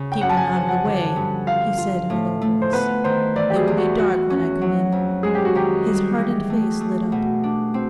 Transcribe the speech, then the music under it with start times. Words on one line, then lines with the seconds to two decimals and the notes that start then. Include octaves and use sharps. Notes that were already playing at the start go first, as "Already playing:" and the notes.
'Keep them out of the way,' he said in a low voice; 'it will be dark when I come in.' His hardened face lit up.
Already playing: C#3
0.12 G5
0.21 F#2 F#5
0.29 A5
0.37 G#5
0.53 F3
0.69 F#5
0.85 D3
1.16 G2
1.47 F4 F5
1.78 F4
2.10 A2
2.42 A3
2.62 C5
2.73 B3 B4
3.04 D#3 C5
3.36 E3 D5
3.50 G4
3.56 G#4
3.68 E2
3.78 F#4
3.98 E3 F#4
4.30 C#4
4.61 F#3
4.92 F2
5.23 G#3 G#4
5.35 G4
5.45 F#4
5.55 D#3 G4
5.87 G3
6.18 E3
6.50 A3
6.81 A3
7.12 B2
7.44 D4
7.74 C4